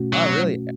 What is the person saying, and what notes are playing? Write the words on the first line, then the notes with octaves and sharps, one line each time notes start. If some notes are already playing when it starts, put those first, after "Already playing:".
Oh, really e
Already playing: B2 A3 C#4 F#4
F#3